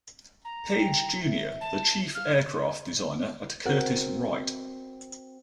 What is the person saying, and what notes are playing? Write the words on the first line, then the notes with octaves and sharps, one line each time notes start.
Page Junior the chief aircraft designer at Curtiss-Wright.
A#5
G5
E5
A5
F5 F6
C4 F#4 A#4 F#5